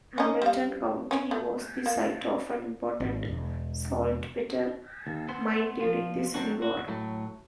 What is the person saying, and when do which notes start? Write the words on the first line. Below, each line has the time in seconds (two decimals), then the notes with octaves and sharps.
Hamilton County was the site of an important saltpeter mine during the Civil War.
0.18 C#4 D#4
0.42 G3 F5
1.11 C#4
1.31 A3
1.86 A#3
3.00 G#1
3.28 E1
5.07 D#2
5.28 B3 C5
5.81 F3 F4
6.34 F#3 C4 D4 D#4 F#4
6.62 F#4
6.88 A2 F#3 A3